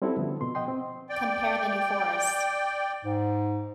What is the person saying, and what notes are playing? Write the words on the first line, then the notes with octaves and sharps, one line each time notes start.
Compare the New Forest.
G3 C4 C#4 E4 F#4 A4
D3 F3 B3
B2 F3 C6
D#5 F#5 G5 C6
C4
D5 G5
G#2